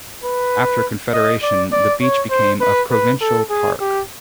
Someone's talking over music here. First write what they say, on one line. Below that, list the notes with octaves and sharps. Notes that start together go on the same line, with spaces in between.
After Confederation, the beach became a provincial park.
B4
D#5
D5
D5
C#5
C5
B4
B4
A4
G#4
G4